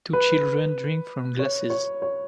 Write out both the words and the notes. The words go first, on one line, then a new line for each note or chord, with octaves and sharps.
Two children drink from glasses.
B4
C#5
C#5
C#5